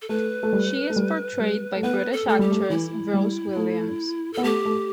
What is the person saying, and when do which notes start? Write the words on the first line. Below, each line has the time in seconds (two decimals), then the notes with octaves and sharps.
She is portrayed by British actress Rose Williams.
0.02 A4
0.09 A3 B4
0.43 A3
0.53 G3
0.90 A3
0.96 G3
1.40 G3
1.76 A3
1.83 B3 B4
2.12 A4
2.27 A3 A4
2.39 G3 G4
2.51 A3
2.70 E3 E4
3.14 G3
3.56 A3
4.33 B3 A4
4.44 A3 G4
4.65 A3